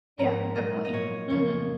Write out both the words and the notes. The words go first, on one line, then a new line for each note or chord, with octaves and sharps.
Yeah. Definitely. Mhm.
G#2 F3 A#3 A#5
A#2 F#3 A#3 D#5
D#5
A#2 F#3 A#3 C#5
F2 C#3 F3 A#3 C#5